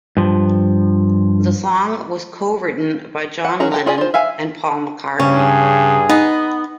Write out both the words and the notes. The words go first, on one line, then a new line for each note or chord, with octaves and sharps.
The song was co-written by John Lennon and Paul McCartney.
G2 F3
F#5
D#3 C#4 F#4 G#4 A#5
A4 G5 A#5
F4 G#4 D5 G#5
F4 C5
E5 F5 G#5
G2 C#3 C#4 G#4
B3 D#4